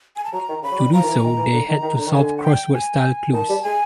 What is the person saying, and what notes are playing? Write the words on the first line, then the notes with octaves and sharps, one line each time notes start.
To do so, they had to solve crossword-style clues.
G#5
A5
F#3 A#5
D#3
C#3 B5
F#3
G3
F3 A#5
D#3
E3
D#3
E3
D3
D#3
D#3
D3
D#3
D3 G#5
F#5
G5
G#5
D#3 A5
G3
G#3 G#5